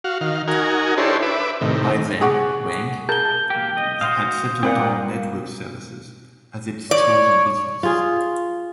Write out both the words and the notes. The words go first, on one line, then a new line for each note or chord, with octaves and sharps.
By then Wang had settled on "network services" as its chosen business.
F#4 F5
D#3 F5
D#4 F#4 A#4 G#5
D4 E4 G4 A4 C5 C#5
B4 E5 D6
A2 C3 D#3
G#4 F#5 C#6 D6
G#4 A#4 A5 G6 G7
A5
A#3 G4
D#5
F#4 C5 F5 D#6
A#2 C4 G4 B4 F#5
C#5 D5
F4 G#4